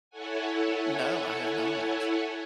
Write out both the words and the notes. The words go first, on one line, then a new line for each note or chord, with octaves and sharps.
N no, I have not.
E4 A4 C#5 F#5 G#5